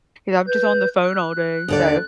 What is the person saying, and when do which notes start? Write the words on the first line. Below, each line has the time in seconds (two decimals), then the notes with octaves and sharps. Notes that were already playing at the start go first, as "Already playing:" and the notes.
goes, "I'm just on the phone all day." So
0.48 B4 G6
1.04 F#6
1.68 D#2 D3 D5